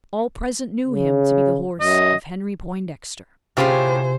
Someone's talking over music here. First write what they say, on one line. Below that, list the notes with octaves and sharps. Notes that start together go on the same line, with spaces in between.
All present knew him to be the horse of Henry Poindexter.
C#3
F#2 D#5
A2 C3 C#4 E4 F4 G4 G#4 C5